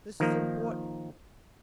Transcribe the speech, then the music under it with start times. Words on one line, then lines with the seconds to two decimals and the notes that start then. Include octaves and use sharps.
This is important.
0.20 D#3 F3 A#3